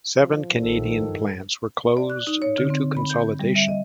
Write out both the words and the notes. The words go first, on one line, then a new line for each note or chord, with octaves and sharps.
Seven Canadian plants were closed due to consolidation.
F3
A#1 D#3 A4
G2
D5
F#6
D#4
C#5
D3
C4
B5
G6
G3
E5
D#5